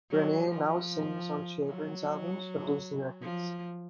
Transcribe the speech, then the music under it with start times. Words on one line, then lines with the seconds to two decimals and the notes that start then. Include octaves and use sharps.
Renee now sings on children's albums for Disney Records.
0.11 F#3
0.50 F3
1.67 F#3
3.22 F3